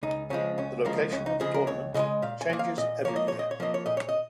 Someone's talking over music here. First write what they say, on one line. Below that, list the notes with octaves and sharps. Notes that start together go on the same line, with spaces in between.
The location of the tournament changes every year.
C#2 D#4
C#3 F3 G#3 C#4
C#2 C#4
C#3 F3 G#3 A#3
C#2 C#4
D#4
C#3 F3 G#3 G#4
A#4
C#2 C#5
C#3 F3 G#3 D#5
A#2 F5
G#5
F3 A#3
F5
A#2 D#5
F3 A#3 C#5
D#5
A#2 C#5
D#5
C#5
F3 A#3 D#5
C#5
A#2 D#5
C#5
D#5